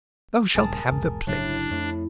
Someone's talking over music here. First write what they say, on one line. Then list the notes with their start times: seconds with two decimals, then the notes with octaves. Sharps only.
"Thou shalt have the place."
0.55 A#1 G2 C#3 G#4 A#4 A5
0.91 B1 E2 G#2
1.27 G1 A2 C#3 F#3 D4
1.71 F2 A2 A3